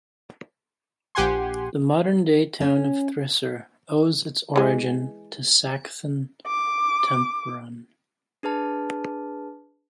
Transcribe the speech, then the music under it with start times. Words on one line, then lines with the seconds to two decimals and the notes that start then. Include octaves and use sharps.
The modern day town of Thrissur owes its origin to Sakthan Thampuran.
1.15 A#1 G4 F#5 G#5 C6
2.60 C#4
4.56 E3 G#3
6.47 D6
8.43 D4 G#4 B4 A5